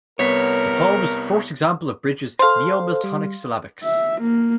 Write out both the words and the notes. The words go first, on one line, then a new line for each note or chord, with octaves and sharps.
The poem is the first example of Bridges' Neo-Miltonic Syllabics.
C2 B3 A#4 C#5 B6
A4 C5 F5 C6
G3
E5
A#3